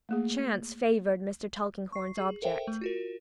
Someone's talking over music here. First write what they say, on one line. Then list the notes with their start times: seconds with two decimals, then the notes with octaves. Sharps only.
Chance favored Mr. Tulkinghorn's object.
0.09 A3 A#3 G#4
1.92 C#6 C7
2.18 G#4
2.42 A4 A#4 C5 E5 G5
2.67 A3
2.81 F4 F#4 A#4